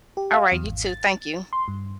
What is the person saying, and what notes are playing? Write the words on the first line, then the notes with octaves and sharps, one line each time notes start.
All right, you too. Thank you
G4
F5
E2
G#1
A6
C6
G2